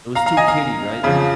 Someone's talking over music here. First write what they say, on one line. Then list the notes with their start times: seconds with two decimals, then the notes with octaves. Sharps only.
It was too kiddy, right?
0.15 F5 A#5
0.26 F5 A#5
0.37 D#5 G#5
0.48 F5 A#5
1.03 F2 C#3 F3